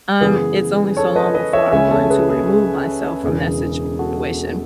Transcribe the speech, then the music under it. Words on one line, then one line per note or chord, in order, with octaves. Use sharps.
um, it's only so long before I'm going to remove myself from that situation.
F#2 C#3 E3 G#3 B3 G#4 B4
A4 C#5
B4 D#5
B4 D#5
C#5 E5
C#2 C#3 G#3 C#4 E5 G#5
A4 C#5
G#4 B4
G#4
E1 E2 C#3 E3
F#4 A4